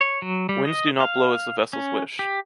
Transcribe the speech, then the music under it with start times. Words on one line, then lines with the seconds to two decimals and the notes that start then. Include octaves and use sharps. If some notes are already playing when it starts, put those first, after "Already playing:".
Winds do not blow as the vessels wish.
0.01 C#5
0.22 F#3
0.49 G3
0.65 D#5
1.00 F5
1.73 C#4
2.19 G4